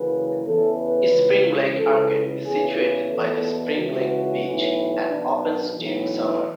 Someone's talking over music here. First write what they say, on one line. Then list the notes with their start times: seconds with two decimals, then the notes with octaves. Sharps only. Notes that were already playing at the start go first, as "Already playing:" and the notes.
Spring Lake Arcade is situated by the Spring Lake beach and opens during summer.
Already playing: F#1 F#2 C#3 E3 B4
0.45 E2 C#3 E3 A4
0.78 B4
1.12 C#2 C#3 E3
1.77 C#2 C#3 E3 A4
2.44 E2 C#3 E3 G#4
2.77 B4
3.10 E2 B2 A4
3.77 C#2 C#3 E3 F#4
4.44 B1 A2 E3
5.10 B1 B2 D4
5.77 B1 A2 E3